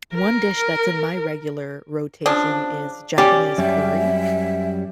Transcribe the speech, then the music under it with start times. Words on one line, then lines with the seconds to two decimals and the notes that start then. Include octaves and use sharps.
one dish that's in my regular rotation is Japanese curry
0.14 A#4
2.26 C#3 F3 D4
3.18 C#4 G4 D5
3.58 F#2 G3 E5